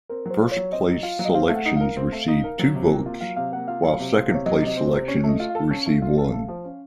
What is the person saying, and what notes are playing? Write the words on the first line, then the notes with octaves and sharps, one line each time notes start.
First place selections receive two votes, while second place selections receive one.
C4 A#4
F#3 C5
F4
F#3 C#5
C4 D#5
F#3
F4 F5
F#3
D#5
C4 F5
A3 F5
F#5
D#4
A#4 F5
C4
A3
D#4
A#4
F#3
C3
A#3
F4
F#3 F5
C3 F5
A#3 F#5
F4 F5
F#3
C3
C4
C3 C#5
F#3 D#5
C3
D#5
C4
C5
C3
C#4 C#5
A3 D#5
F4
F5
A4
C#4
A3
F4
A4
A3
F3
C#4